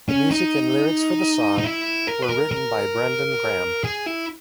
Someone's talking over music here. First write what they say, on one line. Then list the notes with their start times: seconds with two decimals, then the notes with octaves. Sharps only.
The music and lyrics for the song were written by Brendan Graham.
0.09 C#4
0.31 D#4
1.58 D#4
1.64 E4
2.07 A#4
2.22 B4
2.29 A#4
2.51 A#4
3.84 G#4
4.06 E4